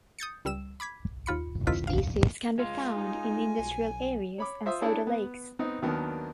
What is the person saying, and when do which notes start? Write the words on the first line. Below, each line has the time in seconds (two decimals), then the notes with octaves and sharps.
Species can be found in industrial areas and soda lakes.
0.19 D#6 G6 A6 C#7
0.45 C#2 G3 E6 E7
0.80 B5 D6 G#6 B6
1.26 D#2 F4 B5 C#7
1.67 C3 D#3 E4 F4 B6
1.87 D2 F5
2.58 G#3 F4
2.96 D#4 G#5
3.59 B1
4.38 C#5 B5 D6
4.65 F4 C5 E5 C6 D#6
4.81 D4 E4 G#4 A4 C#5
5.07 B3
5.59 B3 C4 D#4
5.82 D#2 D#3 F#3 A#3 B3 D4